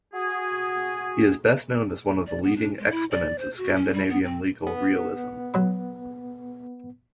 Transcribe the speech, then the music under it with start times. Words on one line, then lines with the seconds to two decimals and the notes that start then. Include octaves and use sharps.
He is best known as one of the leading exponents of Scandinavian Legal Realism.
0.14 F#4 G#4
2.27 D5
2.43 B3
2.56 D4
2.79 G#3
2.91 E4
3.11 D5
3.39 C5
3.58 F#4
3.76 C#4
3.93 G3
4.09 B3
4.24 C4
4.67 B3
5.54 F#3 B5